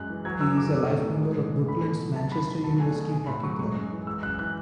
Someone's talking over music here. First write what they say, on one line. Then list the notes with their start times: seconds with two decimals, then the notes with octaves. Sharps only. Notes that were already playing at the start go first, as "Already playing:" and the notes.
He is a life member of Brooklands Manchester University Hockey Club.
Already playing: F#2 G#3 F#6
0.10 E3
0.25 F#3 G#6
0.41 F#2 E6
0.57 D3 D6
0.73 A3
0.89 A2
1.04 E3
1.21 G#3
1.36 A2
1.53 E3
1.68 A3 B5
1.84 B2
2.00 F#3
2.16 F#3 A5
2.32 E2 B5
2.48 B2 B5
2.64 F#3 A5
2.80 A3 G#5
2.95 B2 G#5
3.11 A3 G#5
3.27 A2 B5
3.43 F#3 C#6
3.59 G#3 C#6
3.75 F#2
3.91 E3
4.07 G#3 E6
4.23 F#2 F#6
4.39 E3 F#6